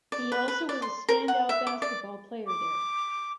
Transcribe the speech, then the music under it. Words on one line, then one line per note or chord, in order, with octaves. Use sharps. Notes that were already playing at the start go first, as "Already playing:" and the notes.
He also was a stand out basketball player there.
D5
B4
B4
D5
C6
A#4
F#5
E5
D6
D5
D6